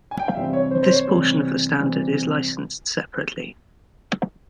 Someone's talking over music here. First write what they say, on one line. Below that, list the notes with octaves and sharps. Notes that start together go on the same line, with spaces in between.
This portion of the standard is licensed separately.
G#5
G5
F5
C3 E3 G3 C4 E5
C#5
C5
C5
C#5
C3 E3 G3 C4
C3 E3 G3 C4